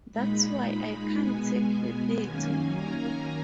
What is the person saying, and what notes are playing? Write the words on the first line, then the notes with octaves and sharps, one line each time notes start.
That's why I can't take you there tomorrow.
A#2 G#3 D#4 B5
B2 G#3 B3 G#5
F#2 D#3 A#3 C#4 G#5
A#5